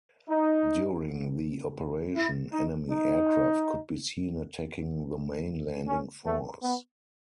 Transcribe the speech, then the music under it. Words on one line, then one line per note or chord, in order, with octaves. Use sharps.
During the operation, enemy aircraft could be seen attacking the main landing force.
D#4
E4
D#4
D#4
C#4
A3
B3